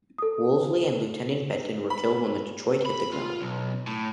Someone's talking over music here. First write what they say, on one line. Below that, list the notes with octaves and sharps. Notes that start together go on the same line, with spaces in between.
Woolsley and Lieutenant Benton were killed when the Detroit hit the ground.
A4 D#6
B5
B5
F4
B1
A2